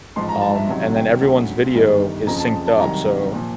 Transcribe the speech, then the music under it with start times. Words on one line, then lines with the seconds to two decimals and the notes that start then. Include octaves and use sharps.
um, and then everyone's video is synced up. So,
0.16 A1 G#2 F3 C6
0.29 A#5
0.41 A5
0.55 E5
0.68 C#2 C3 D#3 F#3
0.95 G5
1.21 D2 C#3 F#3
1.74 G1 G2 D#3 G3
2.27 F#1 F2 C#3 F3 A#5
2.40 A5
2.67 A5
2.80 C2 C3 D#3 F#3 A#5
3.34 A#2 F3